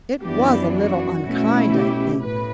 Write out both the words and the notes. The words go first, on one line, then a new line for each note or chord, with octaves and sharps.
It was a little unkind, I think.
F#2 E3 B3 D4 G4
F#4
B2 A3 C#4 E4
G4
A2 B4